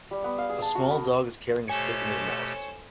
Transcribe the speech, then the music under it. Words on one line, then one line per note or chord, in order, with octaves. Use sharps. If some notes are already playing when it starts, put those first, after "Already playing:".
A small dog is carrying a stick in his mouth.
G3
B3
F5
G#4
A5
F#4
B5
B2 A3 G4 A4 C5 C#5 G#5